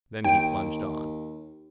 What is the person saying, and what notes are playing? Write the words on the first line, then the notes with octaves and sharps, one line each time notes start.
Then he plunged on.
D#2 G5 D7